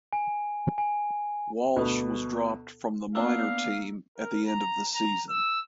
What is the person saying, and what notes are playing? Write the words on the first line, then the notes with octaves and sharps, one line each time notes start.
Walsh was dropped from the minor team at the end of the season.
G#5
G#5
D2 B2 B3
A#3 B3 D4 F5 E6
A#4
A#5
A#5
E6